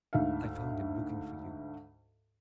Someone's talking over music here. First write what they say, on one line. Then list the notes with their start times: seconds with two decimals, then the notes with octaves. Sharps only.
I found him looking for you.
0.13 D2 G#2 E5 F5